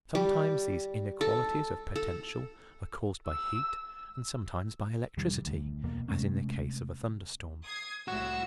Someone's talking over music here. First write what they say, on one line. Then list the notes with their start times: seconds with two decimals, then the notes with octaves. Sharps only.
Sometimes these inequalities of potential are caused by heat and sometimes by electricity, as in the case of a thunder-storm.
0.15 G3
1.21 A4
1.96 A4
3.27 E6
5.17 F1 D#3 G3
5.46 D2
5.84 E2 B2 A#3
6.08 C3 G#3 A3 C#4
7.64 D#6 G#6 C7
8.08 C2 A2 F#4 E6